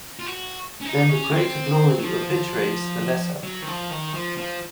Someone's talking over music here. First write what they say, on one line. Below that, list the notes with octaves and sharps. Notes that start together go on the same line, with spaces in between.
Then the greater glory obliterates the lesser.
F4
F#4
C#4
D#4
C#4
C4
F#3
F3
F#3
D#3
F3
D#3
F3
F3